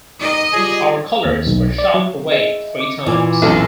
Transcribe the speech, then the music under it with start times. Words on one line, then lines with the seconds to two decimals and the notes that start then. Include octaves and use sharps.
Our colors were shot away three times.
0.21 D#4 G4 A#4 D#5
0.53 C#3 F3 G3 G#4
1.25 D#2
1.47 B1
1.78 D5
1.94 F#3
2.31 G#4 D#5 E5
2.80 D6 C#7
3.06 A#2 E3 A#3 D5 G#5 D6
3.42 B1 F#2 A4 B4